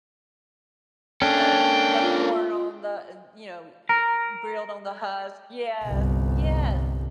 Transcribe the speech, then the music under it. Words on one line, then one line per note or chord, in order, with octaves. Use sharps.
um, the corn on the uh, you know, eh eh, grilled on the husk. Yes. Yes.
A#3 C#4 D4 A4 G5
F4
A#4 A#5
G1 C2